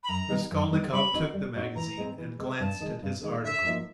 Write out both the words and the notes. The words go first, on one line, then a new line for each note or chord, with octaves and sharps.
Raskolnikov took the magazine and glanced at his article.
B5
F#2 A#5
D#3 G3 B3 D#4
F#2
D#3 G3 B3 D#4
G3 B5
C4 D#4 F#4
G3
C4 D#4 F#4
E3 A#5
G#3 C4
E3
G#3 C4
G2 A5
D#3 G#3
G2
D#3 G#3
D3 E5
F3 A#3 D#4 F#4